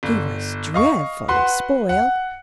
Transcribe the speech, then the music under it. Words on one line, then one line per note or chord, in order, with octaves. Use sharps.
She was dreadfully spoiled.
G1
D#5 F5 C#6
F#4 B4 F#5 C6
F#5